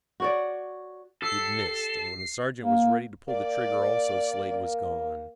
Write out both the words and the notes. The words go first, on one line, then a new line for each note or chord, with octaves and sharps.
He had missed, and when the sergeant was ready to pull the trigger also Slade was gone.
F#4 C#5 D5
G4 A4 E6 C7
A#3
A#3 D5